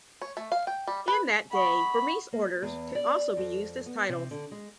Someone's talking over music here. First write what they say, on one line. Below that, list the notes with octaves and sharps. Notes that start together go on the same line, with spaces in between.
In that day, Burmese orders could be also used as titles.
C#5
A3
F5
G5
G3
B4
F#5 B5 C#6 D#6
A#3
E2
D5
F2
B3
C3
D3
G#3